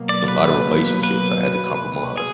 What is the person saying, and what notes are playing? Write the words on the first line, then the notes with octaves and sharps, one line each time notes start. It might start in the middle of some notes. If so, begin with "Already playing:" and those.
in a lotta relationships, I had to compromise.
Already playing: B2 F#3 A#3
D5
B4
B4
G#4